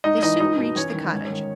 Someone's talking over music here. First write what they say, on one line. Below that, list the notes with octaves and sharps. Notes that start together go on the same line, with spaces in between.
They soon reached the cottage.
G#2 D#4 D#5
E3 D#4 D#5
C#2 D#4 D#5
B2
E2 C#4 C#5
D#3
G#2
D#3